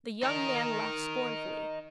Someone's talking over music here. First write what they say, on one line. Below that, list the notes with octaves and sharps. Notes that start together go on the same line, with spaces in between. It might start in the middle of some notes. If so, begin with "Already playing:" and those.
The young man laughed scornfully.
D#4 A#4